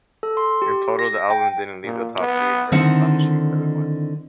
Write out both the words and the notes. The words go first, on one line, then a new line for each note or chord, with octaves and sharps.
In total, the album didn't leave the top three for an astonishing seven months.
A4
C6
G4
A#6
G5
A#2
B3
D3 D#3 C4 D#4 E4 F#5